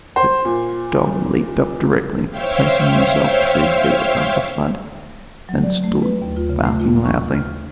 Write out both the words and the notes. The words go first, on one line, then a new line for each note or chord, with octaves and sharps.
The dog leaped up directly, placing himself three feet above the flood, and stood barking loudly.
C5
A#2
C5 C#5 E5 F5 G5
F#3
D5
A3
B4
D#2
F4
C#3
A3
F4
C#6
F6